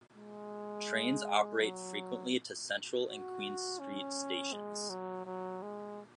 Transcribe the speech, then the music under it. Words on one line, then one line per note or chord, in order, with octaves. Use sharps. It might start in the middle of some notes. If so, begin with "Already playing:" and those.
Trains operate frequently to Central and Queen Street stations.
G#3
F#3
F#4
C#4
G#3
F#3
F#3
G#3